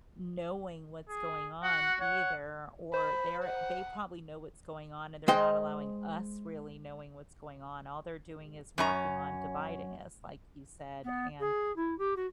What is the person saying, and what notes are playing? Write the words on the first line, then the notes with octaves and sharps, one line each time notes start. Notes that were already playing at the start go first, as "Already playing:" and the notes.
knowing what's going on either, or they're they probably know what's going on, and they're not allowing us really knowing what's going on. All they're doing is working on dividing us, like you said, and
G#4
F#4 F#5
C#5 F#5
C5 B5
F#5
G#3 C5 D#5 G5
F#2 C#4 A#5
B3
G#4
E4
G4
F#4